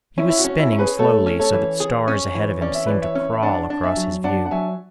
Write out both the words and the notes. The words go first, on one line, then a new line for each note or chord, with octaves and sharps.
He was spinning slowly, so that stars ahead of him seemed to crawl across his view.
C#4 E4
E4
F#4
C#4
E4
C#4
G#4 B4
A3 A4 C#5
C#4
A4 C#5
E3
G#4
C#4
E3
C#4 D5
E5
E3 B4 D5
C#5 E5
C#4
E5
D4 D5 F#5
D4
E5 G#5
F#3
D4 D5 F#5
F#5
F#3 E5 G#5